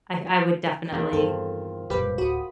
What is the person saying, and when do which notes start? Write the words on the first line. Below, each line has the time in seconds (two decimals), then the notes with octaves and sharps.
I I would definitely
0.93 E2 D#3 A#3 D4 F4 A#4
1.13 G2 C4 A4
1.90 E1 F#2 A#2 G3 G4 B4
2.18 D1 F#4 B5 D#6